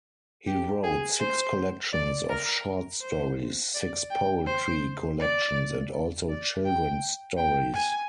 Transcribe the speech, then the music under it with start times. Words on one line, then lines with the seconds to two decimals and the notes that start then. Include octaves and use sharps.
He wrote six collections of short stories, six poetry collections, and also children stories.
0.47 G4
0.84 G#4
1.20 C5
1.93 D5
2.29 A#4
3.01 C5
3.75 D5
4.11 G5
4.47 C5
5.20 D5
6.29 D5
6.65 G5
7.38 G5
7.74 G#5